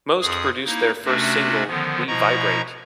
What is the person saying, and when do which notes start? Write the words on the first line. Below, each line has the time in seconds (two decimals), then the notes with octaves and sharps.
Most produced their first single, "We Vibrate".
0.21 F2 G#4 D#6
0.65 A#3 D#4 E4
1.05 C3 A3 C#4 D4 F#4
1.67 D3 D#3 F3 B3
2.07 B2 F3 E4 D#5 A#5 C#6